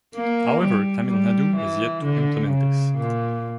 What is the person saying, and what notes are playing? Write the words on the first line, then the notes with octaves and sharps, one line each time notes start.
However Tamil Nadu is yet to implement this.
A#3
G3
G3
E3
D3
C#3
A#2